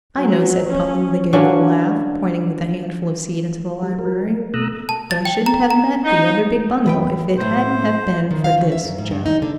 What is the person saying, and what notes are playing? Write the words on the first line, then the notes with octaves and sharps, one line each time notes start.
"I know," said Polly with a gay little laugh, pointing with the handful of seed into the library, "but I shouldn't have met the other big bundle if it hadn't have been for this, Joe!"
F#3
C#4
D3 F#3 A#3 C#4
G3
F#3 A#4
A#3
B2 A3 A#5 D#6 E6 F#6
A5
A6
G5
A#5
A#5
D#4
E3 B4 G5
B1 A2 C5
D#3
F5
C#4
E5
F#2
G#2
G2
D#4
D3